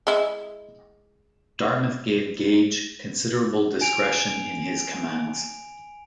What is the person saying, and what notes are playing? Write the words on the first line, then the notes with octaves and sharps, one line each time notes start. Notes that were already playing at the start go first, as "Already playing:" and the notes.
Dartmouth gave Gage considerable discretion in his commands.
G#3 E4
G#5 D7 F7